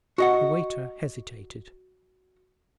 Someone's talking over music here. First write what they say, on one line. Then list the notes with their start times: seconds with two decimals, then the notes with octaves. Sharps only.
The waiter hesitated.
0.18 F#4 D#5 F#5